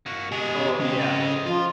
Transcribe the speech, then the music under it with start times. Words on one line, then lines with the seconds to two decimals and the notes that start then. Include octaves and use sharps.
Oh, yeah.
0.06 A#3 F#4
0.32 B2 G#3 G4 G#5
0.80 C4 C#4 G#4
1.00 A4 D#5
1.46 F3 F4